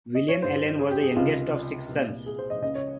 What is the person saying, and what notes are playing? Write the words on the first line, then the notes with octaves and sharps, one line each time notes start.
William Allen was the youngest of six sons.
D#5
C#5
G2 D#3 C5
G#4
G4
G#4
C#2 C3 D#3 F4
C2 A#2
G#4
C5
D#5
C#2 C#3 D#5
C#5